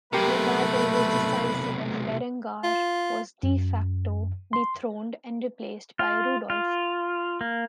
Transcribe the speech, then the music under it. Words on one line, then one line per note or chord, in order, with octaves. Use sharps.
The battle was decisive and Berengar was "de facto" dethroned and replaced by Rudolf.
B1 C3 A3 G4 A#4 B4
F4
F#2
C6
F4
F4
A#3